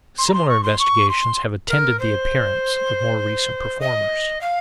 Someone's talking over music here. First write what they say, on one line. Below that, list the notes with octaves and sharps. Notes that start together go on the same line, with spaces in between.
Similar investigations have attended the appearance of more recent performers.
C6
A#5
C6
C#6
C6
C#6
C6
A#4
C5
D#5
F5